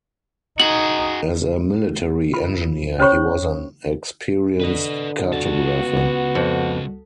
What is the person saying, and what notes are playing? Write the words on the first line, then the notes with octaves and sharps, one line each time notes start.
As a military engineer, he was an experienced cartographer.
D#4 F#4 G#4 F#7
F4 B5
C#4 C5 C#5 B5 C#6
D3 B4 D#5
C#2 F#4 A5
B3
F2